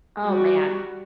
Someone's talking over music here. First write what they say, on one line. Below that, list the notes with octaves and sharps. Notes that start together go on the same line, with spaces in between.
oh man.
G3 F#4